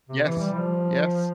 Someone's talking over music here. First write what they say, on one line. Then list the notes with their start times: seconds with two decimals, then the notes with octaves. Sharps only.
Yes. Yes.
0.09 C3
0.24 E3
0.39 G3
0.54 F3